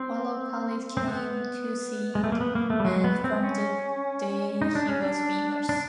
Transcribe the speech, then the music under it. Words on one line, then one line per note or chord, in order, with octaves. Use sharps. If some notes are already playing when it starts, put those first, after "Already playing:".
All of Paris came to see it, and from that day he was famous.
Already playing: C4
C4
B3
G#3
A3
A#3
B3
A#3
A3
G3
F#3
B3
C4
C#4
D#4
D4
C#4
D4
D4